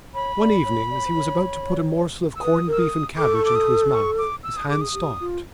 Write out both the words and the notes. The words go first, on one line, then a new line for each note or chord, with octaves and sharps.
One evening as he was about to put a morsel of corned beef and cabbage into his mouth his hand stopped.
C#5 B5
D5
C#5
D5
C#5
C5
C#5
E6
B4 D#6
A#4 E6
D#6
A4 D6
C#6
D6
D#6
C#6
D6
E6
D#6
G#4 D6
D#6
G4
F4